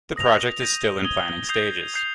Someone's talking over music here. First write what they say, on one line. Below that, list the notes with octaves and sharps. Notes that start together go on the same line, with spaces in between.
The project is still in planning stages.
D#6 A#6 F7
G6 A#6 D#7
D#6 G#6 D#7 G7
D#6 G6 C7 F7
D#6 G6 C7 F7